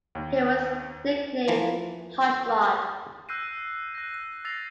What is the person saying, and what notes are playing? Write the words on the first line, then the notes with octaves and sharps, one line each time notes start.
He was nicknamed Hot Rod.
D#2
E3 F3 A#3
E6 F#6 G6 A#6 C7 D#7
F#6 A#6
E6 A6 A#6 C7 F7